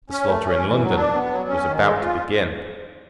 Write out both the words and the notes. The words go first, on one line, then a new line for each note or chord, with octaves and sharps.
The slaughter in London was about to begin.
C#4
A3
C#4
E3
F#3
D4
B3
F#3
C#4
D#3
G#3
F4